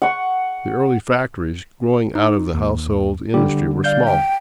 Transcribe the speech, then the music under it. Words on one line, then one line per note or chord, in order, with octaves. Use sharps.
The early factories growing out of the household industry were small.
F#5 C#6
D#4
D#2
D3 G3 G4
D5 F5 G6
G5